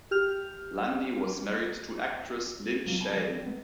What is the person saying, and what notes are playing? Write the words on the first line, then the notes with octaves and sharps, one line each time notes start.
Landey was married to actress Lin Shaye.
G4 F6 F7
F#2 C3 F#3 G#3 A#3 F4
G#5 A5 B5
F3
C4
G#3 A3 B3